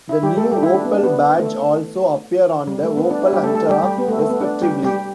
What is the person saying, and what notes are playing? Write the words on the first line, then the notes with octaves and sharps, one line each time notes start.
The new Opel badge also appear on the Opel Antara, respectively.
E4
G3 G4
A3 A4
G3 G4
E4
D4
B3
D4
B3
A3
G3
A3
B3
D4
E4
G3 G4
A3 A4
A3 A4
G3 G4
G3 G4
B3
A3
A3
B3
D4
G3 G4
G3 G4